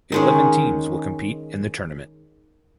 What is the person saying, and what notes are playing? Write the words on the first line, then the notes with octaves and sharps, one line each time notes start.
Eleven teams will compete in the tournament.
D#3 G#3 C#4